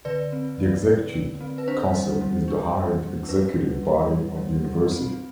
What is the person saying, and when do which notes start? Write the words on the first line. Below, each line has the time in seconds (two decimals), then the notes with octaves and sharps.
The Executive Council is the highest executive body of the University.
0.05 D3 B4 D5
0.32 C4
0.59 F#3
0.86 D3
1.13 D3
1.41 C4
1.58 B4
1.68 D4 C5
1.95 G3
2.21 G3
2.48 D4
2.75 G3
3.03 G3
3.29 D4 B4
3.57 G3
3.83 G3
4.11 G3
4.37 G3
4.65 G3
4.91 C4